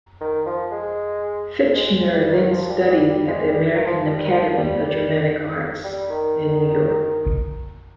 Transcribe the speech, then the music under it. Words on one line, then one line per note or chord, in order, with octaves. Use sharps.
Fichtner then studied at the American Academy of Dramatic Arts in New York.
D#3
F3
G#3
G#3
G#3
G3
D#3
F3
G3
G3
G3
G#3
G3
D#3
F3
G3
D#3
F3
G3
G3
G3
D#3